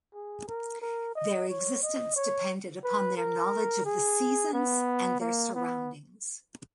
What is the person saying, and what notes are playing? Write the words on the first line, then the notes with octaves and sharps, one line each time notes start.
Their existence depended upon their knowledge of the seasons and their surroundings.
G#4
A#4
A#4
D#5
C#5
D#5
C#5
B4
A#4
G#4
B3
A#3
B3